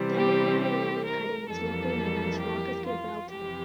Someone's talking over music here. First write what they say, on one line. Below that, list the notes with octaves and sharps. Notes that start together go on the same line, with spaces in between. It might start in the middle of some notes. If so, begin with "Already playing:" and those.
The nearby railway cutting was locally known as Rock of Gibraltar.
Already playing: C3 E3 G3 C4
G4
G4
A#4
F2 E3 G3 A#3 A4
G4
F4
F2 C3 E3 G4